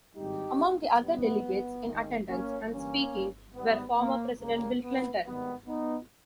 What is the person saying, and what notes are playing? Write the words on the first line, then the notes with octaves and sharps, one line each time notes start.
Among the other delegates in attendance and speaking were former President Bill Clinton.
G#1 G2 G3 D#4 G4
G1 G2 G3 B3
D#2 D#3 G#3
A#3 C#4
G1 G2 E3 A#3 C#4
G#1 G#2 G3 B3
A#3
C#2 C#3 G3 A#3
B3
G#1 G#2 D#3 G3 B3
B3 D#4